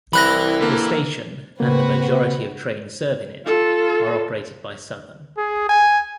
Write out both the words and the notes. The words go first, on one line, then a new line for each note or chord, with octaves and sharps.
The station and the majority of trains serving it are operated by Southern.
C2 E3 B5 F#6 A#6
D3 A#3
C#3 A#3 C4 F#4 B4
F4 A4
G#4
G#5